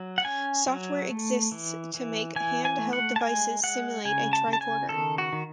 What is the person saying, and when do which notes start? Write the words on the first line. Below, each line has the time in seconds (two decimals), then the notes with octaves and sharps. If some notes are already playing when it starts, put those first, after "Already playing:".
Software exists to make hand-held devices simulate a tricorder.
Already playing: F#3
0.18 F#5
0.25 C#4 G#5
0.67 F#3
1.10 A3
1.52 E3
1.94 E3
2.36 E3 G#5
2.65 G#5
2.78 A3
2.93 F#5
3.16 A5
3.21 G#3 G#5
3.63 G#3 F#5
4.05 C#3 G#5
4.33 A5
4.47 C#3
4.53 A5
4.61 G#5
4.89 D#3 A4
5.18 F#4
5.33 D#3